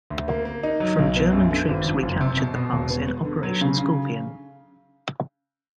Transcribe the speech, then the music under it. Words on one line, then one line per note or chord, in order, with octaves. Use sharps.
From German troops recaptured the pass in Operation Skorpion.
D2
A#3
A#3
D#4
F#3
B1
B3
F#2
D3
G#1
F2
F#1
C3
B2
B2
E1
B3
B3
D3
F#3
C#3
C#3